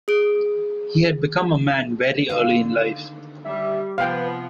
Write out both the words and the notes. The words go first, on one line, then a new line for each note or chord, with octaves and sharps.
He had become a man very early in life.
G#4 D7
D3 D#3 F5
G3 E5
C3 F3 B3 B4 F5 G5